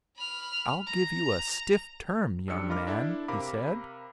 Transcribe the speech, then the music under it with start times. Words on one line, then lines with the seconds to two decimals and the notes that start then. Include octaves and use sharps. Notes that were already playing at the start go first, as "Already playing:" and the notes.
"I'll give you a stiff term, young man," he said.
0.16 B5 F6
0.86 A#5
2.48 F2 G3 D4 E6 C#7
2.70 F4 A#4 D#5 B5 D6 F6
2.87 D4 E4 A4
3.28 C3 A#4 F5 B5 D6